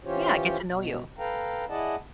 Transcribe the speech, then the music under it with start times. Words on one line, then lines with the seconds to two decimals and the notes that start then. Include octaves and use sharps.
yeah get to know you.
0.04 E3 C#4 F4 G4 C5 C#5
0.68 B2
1.19 A4 B4 F5 G5 A#5
1.69 E4 G#4 D5 D#5 F#5 A5